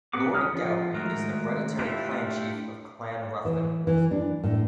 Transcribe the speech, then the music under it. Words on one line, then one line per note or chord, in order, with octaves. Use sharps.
Lord Gowrie is the hereditary Clan Chief of Clan Ruthven.
B3 C4 G#4 F#5 D6
D3 C#4 D#6 F6
F3 F4
D#3 G#3 A3 F#4 A#4
A3 D4 E4 F4 G4
E3
E3
D4
A2